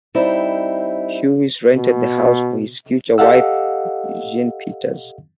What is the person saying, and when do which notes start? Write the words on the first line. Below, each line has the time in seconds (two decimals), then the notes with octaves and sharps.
Hughes rented the house for his future wife Jean Peters.
0.15 G3 C4 D#4 E4
1.75 B2
3.18 G4 A4 D#5 F5 F#5 E6